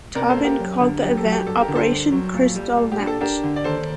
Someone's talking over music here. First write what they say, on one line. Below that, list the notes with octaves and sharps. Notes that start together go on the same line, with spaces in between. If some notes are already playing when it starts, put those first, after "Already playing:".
Tobin called the event "Operation Kristallnacht".
C3 A#4 D5
A4 C5
A#3
G4 A#4
F#2
D3
F#2 G4
A4
F#3
G4
G2 A4
G4 A#4
D3
A4 C5
G2
F#3
A#2
G3
A#2
G4
D4
A4
D4 G4 A#4
D3
D5
D#2 A4 C5